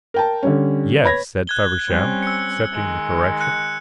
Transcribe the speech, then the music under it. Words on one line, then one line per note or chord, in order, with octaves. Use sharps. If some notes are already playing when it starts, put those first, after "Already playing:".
"Yes," said Feversham, accepting the correction.
A#4 G5 A5
D3 G3 C#4
B4 C#5 B5 G#6 A#6
F#6 G#6 G7
G3 C4 C#4
E6 C#7
D#3 G#3
F#6 C#7